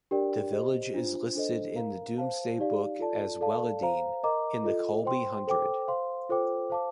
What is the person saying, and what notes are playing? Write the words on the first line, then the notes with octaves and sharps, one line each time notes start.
The village is listed in the Doomsday Book as 'Weledene', in the Colby Hundred.
D4 G4 A#4 D5 G5
G4 C5 D#5
D4 F4 C5
D4 A4 C5 D#5
A#4 F5 A#5
C5 F5 A5
D#4 G4 D5 F5
F4 A4 D5 A5
A4 D5 F5 A5
C5 F5 A#5
A#4 D#5 A#5 D6
F4 A4 D#5
C5 G5 C6
A4 C5 G5 D6
C5 F5 C6
F4 A4 C5 G5 D6
C5 F5 A5 D6